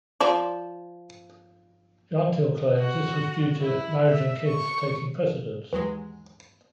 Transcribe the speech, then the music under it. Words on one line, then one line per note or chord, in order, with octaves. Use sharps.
Jenteal claims this was due to "marriage and kids" taking "precedence".
F3 C5 D5
F#4
E4
E5
C#6
D#2 E3 F#3 G#3